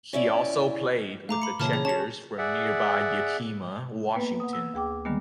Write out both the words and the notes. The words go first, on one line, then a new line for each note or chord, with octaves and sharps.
He also played with the Checkers from nearby Yakima, Washington.
C#4 E4 D5
A3 F5 A#5 D6
B5 C#7
A#2 C#3 E3 C#5 A5 F6
G#4 C#5
C#4 C#5 A5 E7
G#4 D5 E5 F#5
A#3 B3 B4
F#5 D#6
E6
D2 G#4 G5 D6
D3 D#3 G3 G#3 A#3 B3